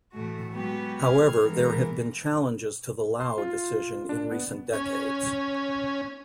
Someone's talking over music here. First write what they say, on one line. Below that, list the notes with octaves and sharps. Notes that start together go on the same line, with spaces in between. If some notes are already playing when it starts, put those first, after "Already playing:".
However, there have been challenges to the Lau decision in recent decades.
A2 E3 A3 F#4
F#3 G#3 B3 F#4 G4 B4
C4 F6 G#6
E3 G#3 B3 A#4
C6
F4
D4
B3
C#4